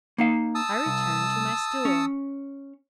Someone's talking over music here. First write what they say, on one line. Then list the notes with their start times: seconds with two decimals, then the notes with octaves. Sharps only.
I returned to my stool.
0.18 A#3 D#4 F5
0.55 A5 D#6 E6
0.86 C2
1.85 C#4